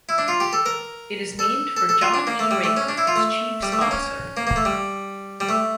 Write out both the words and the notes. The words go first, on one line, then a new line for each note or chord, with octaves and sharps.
It is named for John E. Raker, its chief sponsor.
E4
D4
F4
G4
A4
A#4
A4
A4
A4
F4
D4
A#3
A3
G3
A3
C#4
D4
E4
F4
A3
G3
A3
A#3
C#4
A#3
A#3
A3
G3
G3
A3